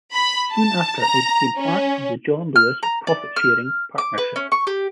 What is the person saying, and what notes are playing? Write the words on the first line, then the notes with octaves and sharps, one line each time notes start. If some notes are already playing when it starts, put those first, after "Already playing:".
Soon after it became part of the John Lewis profit sharing partnership.
B5
A5
A#5
C#4
F6
A#5
D5
F6
D6
B4
C#4
C#6
G4